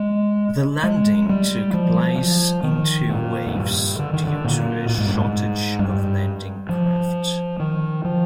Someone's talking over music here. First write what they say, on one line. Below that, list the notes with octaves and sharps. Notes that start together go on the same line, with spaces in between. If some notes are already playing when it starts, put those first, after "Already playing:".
The landing took place in two waves due to a shortage of landing craft.
Already playing: G#3
G#3
G3
F3
F3
D#3
A#2
F2
G2
D3
D#3
D3
A#2
A#2
G#2
G2
G#2
G2
F3
D#3
F3